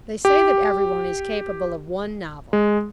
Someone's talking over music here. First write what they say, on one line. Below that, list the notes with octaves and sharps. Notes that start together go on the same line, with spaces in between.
They say that everyone is capable of one novel.
G4
G#3